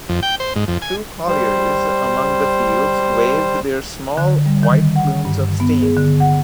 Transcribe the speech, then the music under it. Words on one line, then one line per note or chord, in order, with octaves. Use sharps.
Two collieries, among the fields, waved their small white plumes of steam.
F2
G5
C5
G#2
F2
G#5
G3 C5
D3
G3
D#3
F#5
G2
B3
G#4
D3
F#5